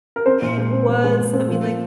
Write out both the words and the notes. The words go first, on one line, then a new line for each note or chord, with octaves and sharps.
I It was. I mean, like,
A#4
C4 C5
A#2
G#3
C4
A#2
G#3
A#2
C4
F3
A#3